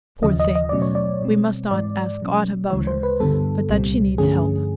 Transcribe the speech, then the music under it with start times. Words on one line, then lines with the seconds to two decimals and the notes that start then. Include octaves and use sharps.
Poor thing! we must not ask aught about her, but that she needs help.
0.23 D#2 C#3 F3 D#5
0.39 D#5
0.55 D#5
0.69 B2 F#3 A3 C#4 D5
0.82 C#5
0.95 D5
1.22 B2 G3 C4
1.71 G#2 E3 G#3 D5
2.21 B2 F#3 A#3 C#4
2.70 D2 C#3 E3 G#3 C#5
2.87 C5
3.03 B4
3.20 G2 D3 G3 B3 A4
3.69 C2 A#2 G3 C4
4.18 G2 D3 F3 A3 C#4 G#4